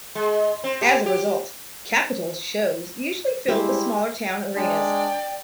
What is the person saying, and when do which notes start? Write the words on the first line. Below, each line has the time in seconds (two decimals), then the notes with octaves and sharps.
As a result, Capitol's shows usually filled the smaller town arenas.
0.15 G#3
0.64 C4
0.81 G4
1.06 G4
3.48 G3 G#3 E4 G4 C5
4.56 G#3 D4 D5 G5